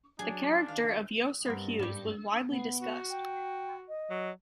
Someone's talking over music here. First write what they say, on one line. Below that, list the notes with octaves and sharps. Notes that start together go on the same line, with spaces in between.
The character of Yosser Hughes was widely discussed.
F#3 D4 G#4
D#3 F5
G2 B3 C4 A#4
G#2 G3 G4
B3
F#4
G5
D#5
F#3